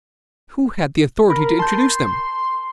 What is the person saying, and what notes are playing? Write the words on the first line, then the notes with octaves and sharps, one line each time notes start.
Who had the authority to introduce them?
A#4 B5
A5 C6 G6